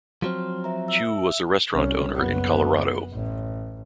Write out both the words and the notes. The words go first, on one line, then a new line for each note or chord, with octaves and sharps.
Chiu was a restaurant owner in Colorado.
F3 F#3 C4 C6 F6
C5 E5 A#5
E5 E6
C2 C#4
F#1 B3
A1